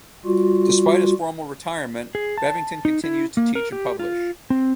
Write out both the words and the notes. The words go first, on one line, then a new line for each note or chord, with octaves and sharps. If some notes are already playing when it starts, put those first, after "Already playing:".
Despite his formal retirement, Bevington continues to teach and publish.
G3 F4 F#4
G#4
A5
D#4
E4
A#3
A#4
G4
F4
C4